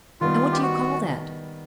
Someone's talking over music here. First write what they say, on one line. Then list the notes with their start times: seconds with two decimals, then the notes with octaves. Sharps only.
"And what do you call that?"
0.21 D#3 G3 B3 F4
0.52 G4
0.62 F#4